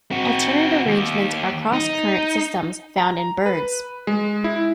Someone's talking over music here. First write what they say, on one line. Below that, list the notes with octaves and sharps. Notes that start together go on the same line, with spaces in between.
Alternative arrangements are cross current systems found in birds.
C4 F#4
D#2
D#4
A#5
B4
G#3
E4